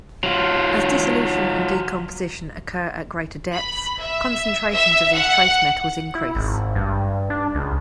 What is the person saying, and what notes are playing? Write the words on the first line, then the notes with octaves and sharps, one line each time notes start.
As dissolution and decomposition occur at greater depths, concentrations of these trace metals increase.
F#3 F4
B5
E5
E5
F#5
E4
G#1
G2
D4
C#2